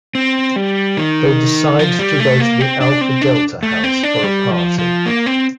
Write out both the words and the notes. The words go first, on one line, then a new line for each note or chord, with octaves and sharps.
They decide to go to the Alpha-Delta house for a party.
C4
G3
D#3
F3
G3
A3
A#3
C4
D4
C4
D4
A3
C4
D4
G3
F3
F3
A#3
C4